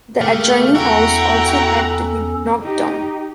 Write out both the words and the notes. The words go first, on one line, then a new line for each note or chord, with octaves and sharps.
The adjoining house also had to be knocked down.
C#3 A3 A#3 G4 A#4
E2 C#4 E4 F#4 A4 G5 A#5
D#4 G4